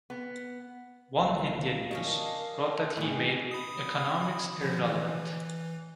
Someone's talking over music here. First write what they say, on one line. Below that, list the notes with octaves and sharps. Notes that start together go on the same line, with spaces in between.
"Oneindia News" wrote that he made "economics irrelevant".
B3
C#2 A#2 F5
C#4 D4 A#4 C#5 D#5
A#1 A2 G#3 B3 G#4 G5
B5 D#6
D3 F3
E3